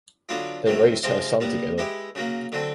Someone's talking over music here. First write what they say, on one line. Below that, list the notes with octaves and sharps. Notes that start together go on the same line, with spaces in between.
They raised her son together.
D3 F#3 B3 D4 F4
C3 D#3 F#3 A3
C3 F3 G#3 C4 F4
A#2 G3 B3
G#3 B3 E4 G4
C#3 F#3 A#3
D3 F#3 A3 C4